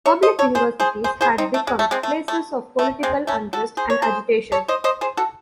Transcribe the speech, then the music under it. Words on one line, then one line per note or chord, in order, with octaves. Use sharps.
Public universities had become places of political unrest and agitation.
C#5 E5
C5 D#5
A4 C#5
G#4 C5
G#4 C5
G#4 C5
G#4 C5
C4 D#4
A3
G#3
A3
G#3 C4
A3
A3
A3
G#3 C4
A3 C#4
F#4 A4
G#4 C5
C#5
G#4 C5
A4 C#5
C5 D#5
C5 D#5
G#4 C5
F#4 A4